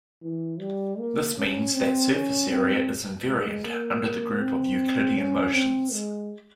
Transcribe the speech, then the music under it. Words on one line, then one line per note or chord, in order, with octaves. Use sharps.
This means that surface area is invariant under the group of Euclidean motions.
E3
G3
A#3
C#4
C4
C#4
C4
G#3
A#3
C4
C#4
C4
G#3